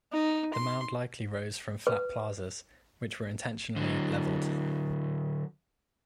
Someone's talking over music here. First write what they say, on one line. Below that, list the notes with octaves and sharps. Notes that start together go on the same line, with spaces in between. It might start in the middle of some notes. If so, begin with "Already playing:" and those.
The mound likely rose from flat plazas which were intentionally leveled.
D#4
C6
B4
D3 F#3